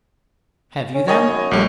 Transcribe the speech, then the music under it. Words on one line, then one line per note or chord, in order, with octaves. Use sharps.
"Have you them?"
C#4
D#3 C#5 D#5 G#5
F#2
A#1 G3 A3